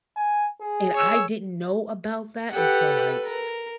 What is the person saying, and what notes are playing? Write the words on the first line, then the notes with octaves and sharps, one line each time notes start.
And I didn't know about that until, like,
G#5
G#4
C#5 E6
G4 A4 B4 F#5
A#4